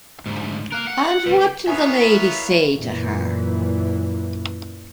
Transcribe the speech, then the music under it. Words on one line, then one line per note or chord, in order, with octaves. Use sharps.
And what did the lady say to her?
D2 G#2
A#4 F5 F#6
F#5
C#2 G3 B4
B3 E4 A#4 C#5 E5 F5 G#5 D#6
F#2 A#2 E3